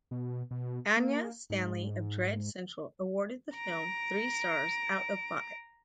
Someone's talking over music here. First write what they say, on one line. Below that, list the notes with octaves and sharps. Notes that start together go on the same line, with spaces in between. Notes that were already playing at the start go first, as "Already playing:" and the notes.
Anya Stanley of Dread Central awarded the film three stars out of five.
B2
B2
A#3
G#2
A#5 D7